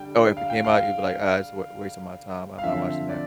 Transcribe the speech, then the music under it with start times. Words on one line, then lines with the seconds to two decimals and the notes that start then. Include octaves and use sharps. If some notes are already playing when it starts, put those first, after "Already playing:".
Oh, if it came out, you'd be like, "Ah, it's a w waste of my time, I'm not watching that."
Already playing: D3 G3 D4 G5
0.37 F5
0.50 G5
0.65 F5
2.58 F5
2.63 D3 F3 C4 E5
3.09 D5